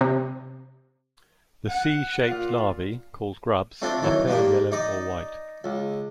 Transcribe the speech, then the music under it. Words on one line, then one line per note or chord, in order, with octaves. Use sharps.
The C-shaped larvae, called grubs, are pale yellow or white.
C3
F#5
A#2 F4
A3 C4 D4 F4
D#3 E3 F#3
G2 A#3 G4
D#4 D5 D#5
C#2